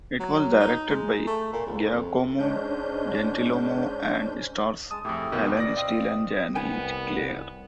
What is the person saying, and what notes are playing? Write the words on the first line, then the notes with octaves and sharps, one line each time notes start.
It was directed by Giacomo Gentilomo and stars Alan Steel and Jany Clair.
F#3
D#4
G#3
A3
A#2
C#2
F2
G#2 G#3 C#4 D4 G6
G#3 A5 D#6
F2 A2 E4 G4 G#4
F#2 B2 D#3
D5 A#6
C4 D#5 F5
C2 B3 G5 G#5